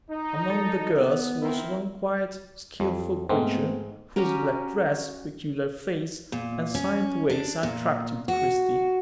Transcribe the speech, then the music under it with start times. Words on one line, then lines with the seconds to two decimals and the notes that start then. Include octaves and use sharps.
Among the girls was one quiet, skilful creature, whose black dress, peculiar face, and silent ways attracted Christie.
0.10 D#4
0.50 A4
0.98 B3
1.42 C4 E4 A#4
2.80 F2
3.29 G#2 A3 B3 C4
4.16 C#4 F#4 G4 A#4
6.32 A#2
6.75 C#4
7.30 D4
7.63 A#2
8.28 F#4